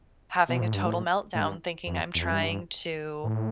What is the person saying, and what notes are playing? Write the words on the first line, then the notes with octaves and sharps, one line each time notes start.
Having a total meltdown thinking I'm trying to
B2
A2
G2
A2
A2
G2
F2
E2
F2
G2
A2